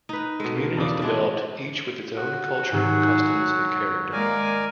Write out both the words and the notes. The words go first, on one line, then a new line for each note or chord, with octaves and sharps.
Communities developed each with its own culture, customs, and character.
D#4 B4
B2 G#3 A4
A#3
E2 C#3 D5
E3 G#3 A3 D4
F#4
G#2 D#3 F#3 G#4
G#3 A#3 A#4 D5 G#5 F6